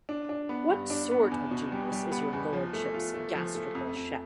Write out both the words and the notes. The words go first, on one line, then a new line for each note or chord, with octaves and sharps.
What sort of genius is your Lordship's gastrical chef?
D4
D4
B3
G2
D4
B3
E2
B2
G3
G3
B3
E2
F3
A3
F4
A3
F3
A3
F2
F2